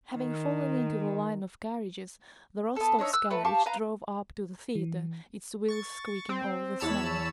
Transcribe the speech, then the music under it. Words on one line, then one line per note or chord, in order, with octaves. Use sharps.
Having fallen into the line of carriages, the Rostovs' carriage drove up to the theater, its wheels squeaking over the snow.
D#3
B3 A4
D4 D#4 C#5 E5
E6 F#6
A3 B4
G4 F5 A5 C#6
B4 F5 A#5
E3
C#6 A6
C4
E2 C#5 A5 B5 E6 E7